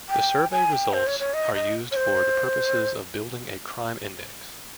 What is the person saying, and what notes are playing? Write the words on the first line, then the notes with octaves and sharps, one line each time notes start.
The survey results are used for the purposes of building a crime index.
G5
G#5
G5
C5
C#5
C#5
D#5
D#5
C#5
C5